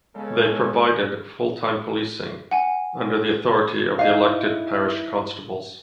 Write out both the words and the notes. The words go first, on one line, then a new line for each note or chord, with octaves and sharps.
They provided full-time policing, under the authority of the elected parish constables.
C#3 G#3 B3 A4
F#5 G#5
D#4 E4 F5